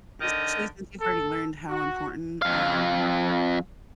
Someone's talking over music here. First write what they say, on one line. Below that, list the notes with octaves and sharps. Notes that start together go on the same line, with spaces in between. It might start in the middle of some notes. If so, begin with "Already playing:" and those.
And especially since you've already learned how important, um,
D3 D#3 D#5
A4
F#4
F2 F5